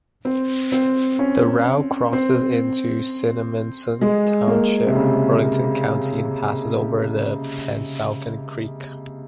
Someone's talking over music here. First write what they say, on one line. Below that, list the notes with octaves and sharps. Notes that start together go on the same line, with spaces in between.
The route crosses into Cinnaminson Township, Burlington County and passes over the Pennsauken Creek.
C4
C4
C#4
C4
G#3
A#3
C3
C#3